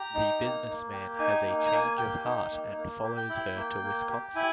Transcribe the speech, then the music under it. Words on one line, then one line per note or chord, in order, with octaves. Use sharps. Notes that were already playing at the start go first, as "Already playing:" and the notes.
The businessman has a change of heart and follows her to Wisconsin.
Already playing: G4 A#5
D#4
A#3
A#3
G4
D#4 G#5
A#3
G#5
A#5
A#3 G#5
G4 G5
D#4
A#3
A#3
G4
G5
E4
A#3
A#3
G4
E4 G#5